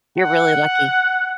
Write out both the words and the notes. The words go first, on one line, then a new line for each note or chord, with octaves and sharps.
You're really lucky.
F#5